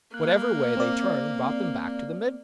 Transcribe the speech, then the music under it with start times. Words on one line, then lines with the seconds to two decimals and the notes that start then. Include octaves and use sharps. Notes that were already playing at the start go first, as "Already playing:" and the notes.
Whatever way they turned brought them back to the middle.
0.14 A#3 F#6
0.77 C4 D5